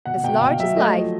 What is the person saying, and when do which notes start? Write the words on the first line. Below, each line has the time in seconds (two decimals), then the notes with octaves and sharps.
"As large as life."
0.05 B2 F#5
0.23 B2 G5
0.41 B2 F5
0.59 F#3 E5
0.77 A3 D#5
0.95 F3